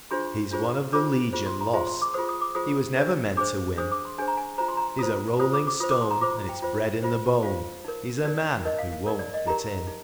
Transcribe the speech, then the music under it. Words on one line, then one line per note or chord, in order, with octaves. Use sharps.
He is one of the Legion Lost; He was never meant to win; He's a rolling stone, and it's bred in the bone; He's a man who won't fit in.
D4 F4 G#4 C5 C6
D4 F4 G#4 C5
D4 F4 G#4 C5 D6
F4 G#4 C5
C6
A#5
F4 G#4 C5 C6
C6
D6
F4 G#4 C5 D#6
D#6
D6
F4 G#4 C5 D#6
D4 G#4 C5
D4 G#4 C5 D6
D4 G#4 C5 D#6
D6
C6
D4 G#4 C5 G#5
A#5
G#5
F4 C5 A#5
C6
A#5
F4 C5 D#6
F4 C5 D#6
D6
D6
F4 C5 D#6
D6
C6
A#5
F4 C5 D6
G5
F4 C5
F4 C5
F4 C5 F5
D#4 A#4
D#4 A#4 D5
D#4 A#4 D#5
F5
F5
D#4 A#4
D5
D#5
D#4 G4 A#4 A#5
D#4